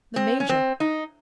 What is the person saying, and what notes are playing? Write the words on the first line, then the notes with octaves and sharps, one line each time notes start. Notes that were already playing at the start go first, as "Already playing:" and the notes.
"The major."
C4
C#4
C4
D#4